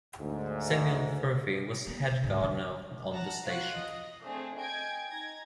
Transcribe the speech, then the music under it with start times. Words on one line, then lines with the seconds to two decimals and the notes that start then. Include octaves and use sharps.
Samuel Furphy was head gardener on the station.
0.20 D2 G#2
1.87 A#3 B3
2.11 C3
2.24 D2 G#2
2.41 D3 E3
2.55 E2
3.12 F#5 A5 A#5
3.45 F4 F#4 F#6
3.76 D#5
4.24 A3 C4 D4 G#4
4.58 D#5 G5 G#5 G#6 D7
5.08 D#4 G#6 A#6